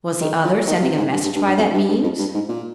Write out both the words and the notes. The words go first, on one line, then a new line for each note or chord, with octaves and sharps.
Was the other sending a message by that means?
D#3
F3
D#3
C3
G#2
G2
G2
G2
G2
F2
G2
G2
F2
G2
G#2
A#2